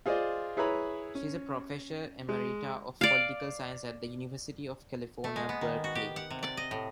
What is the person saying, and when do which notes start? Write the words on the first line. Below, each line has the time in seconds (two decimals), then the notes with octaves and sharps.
She is a Professor Emerita of Political Science at the University of California, Berkeley.
0.06 F4 G#4 C5 D5 D#5
0.57 E4 G#4 B4 C#5 A#5 B5
1.15 C#4
2.29 G#3
3.01 D5 F5
5.24 A3
5.36 G#3
5.49 B3
5.61 D#3
5.84 F#4
5.95 G4
6.16 F#5
6.30 C3
6.43 D5
6.57 D#5
6.71 A2